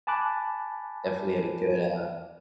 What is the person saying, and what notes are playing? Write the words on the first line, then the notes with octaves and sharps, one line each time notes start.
definitely had a good, uh
G#5 A5 B5 D6 F#6